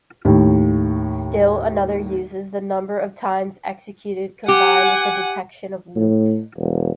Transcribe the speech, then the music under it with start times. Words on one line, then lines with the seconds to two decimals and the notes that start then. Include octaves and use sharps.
Still another uses the number of times executed combined with the detection of loops.
0.25 D#2 A2
4.48 G4 F#5 G#5
5.96 A2
6.58 E1